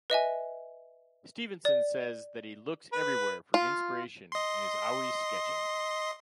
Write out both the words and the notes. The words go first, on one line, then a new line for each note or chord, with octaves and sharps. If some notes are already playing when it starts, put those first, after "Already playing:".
Stephenson says that he looks everywhere for inspiration and is always sketching.
B4 D#5 E5 G#5
D5
B4
F4
D#5 C6